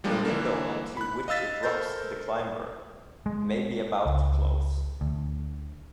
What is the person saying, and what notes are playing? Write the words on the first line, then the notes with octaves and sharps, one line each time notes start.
The window onto which it drops the climber may be about to close.
F3 G3 G#3 A#3 D4
D3 E3 A#3
B5 F#6
D#5 F5 E6 A6 B6
A4 A#4 C5 G6 A6
G#3
C#2
D2